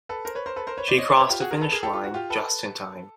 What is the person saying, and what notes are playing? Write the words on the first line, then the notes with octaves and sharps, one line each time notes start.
She crossed the finish line just in time.
A4 B4
A#4 C5
B4 C#5
A#4 C5
A4 B4
A#4 C5
B4 C#5
C5 D5
C#5 D#5
C5 D5
B4 C#5
F4 G4
F#4 G#4
G#4 A#4
A4 B4
G#4 A#4
G4 A4
F4 G4
F#4
F4 G4
A4 B4